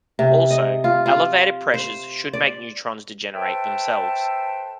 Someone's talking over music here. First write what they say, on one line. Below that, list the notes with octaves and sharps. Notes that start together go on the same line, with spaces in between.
Also, elevated pressures should make neutrons degenerate themselves.
C3
D#5
F4
F4
C5
D5
A4 B4 C5 E5 G5 A5